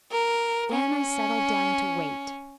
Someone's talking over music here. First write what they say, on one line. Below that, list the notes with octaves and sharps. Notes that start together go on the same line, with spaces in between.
Then I settled down to wait.
A#4
C#4